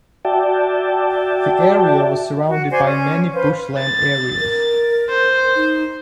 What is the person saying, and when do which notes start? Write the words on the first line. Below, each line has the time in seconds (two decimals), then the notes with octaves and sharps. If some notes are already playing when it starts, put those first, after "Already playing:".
The area was surrounded by many bush land areas.
0.25 F#4 D5 E5 G5 A5
2.49 F#4
2.71 C5 D5 G#5
2.85 C#4
3.33 B4 C5 F5
3.78 A6
4.40 A#4
5.09 C5
5.56 D#4